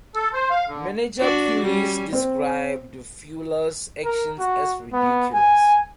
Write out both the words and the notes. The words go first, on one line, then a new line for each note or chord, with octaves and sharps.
Manager Pulis described Fuller's actions as 'ridiculous'.
A4
C5
F5
D3
D4 F#4 D5
G3 C#4
C4
A#4
F#4
B3
G#5